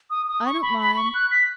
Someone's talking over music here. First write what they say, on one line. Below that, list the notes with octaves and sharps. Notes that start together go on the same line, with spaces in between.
"I don't mind."
D#6
D#6
C#6
B5
B5
C#6
F#6
B6